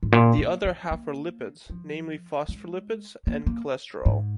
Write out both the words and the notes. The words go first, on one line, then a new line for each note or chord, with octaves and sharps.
The other half are lipids, namely phospholipids and cholesterol.
G#2
A#2
A#3
C#4
A#3
F3
G#3
A#3
A#3
G#2